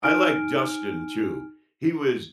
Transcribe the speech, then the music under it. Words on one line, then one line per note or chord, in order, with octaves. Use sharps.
I like Dustin too. He was
D#4 G#5 F6 D7